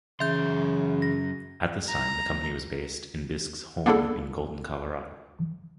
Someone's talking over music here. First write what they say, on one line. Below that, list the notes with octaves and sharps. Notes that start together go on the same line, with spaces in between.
At this time, the company was based in Bisque's home in Golden, Colorado.
F#2 C#3 E3 E5 C6 G6
A#6
A#5
A#3 B3 D4 E4 G#4 A4